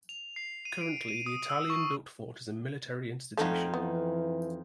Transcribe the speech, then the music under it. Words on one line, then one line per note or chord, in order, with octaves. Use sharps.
Currently the Italian-built fort is a military institution.
F7
C7
D#7
D7
D#7
D#6
E6
C#6
F2 A3 D#4 F5 F#5
E3 B3